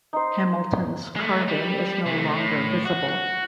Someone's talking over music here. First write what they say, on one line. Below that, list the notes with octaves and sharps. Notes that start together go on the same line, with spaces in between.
Hamilton's carving is no longer visible.
D#4 C5
G#3 A3
G3
C3 A3
A2
F#4
F#4